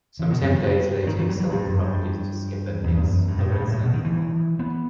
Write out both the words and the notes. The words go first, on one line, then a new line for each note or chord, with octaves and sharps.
Some ten days later he sold the property to skipper Niels Lauritzen Kock.
E3
B2
F#2
G2
D#3
E3
F#3
F#3
G2
F#2
G2
E2
E2
F#2
G2
A2
G2
A2
A2
B2
D#3
E3
B3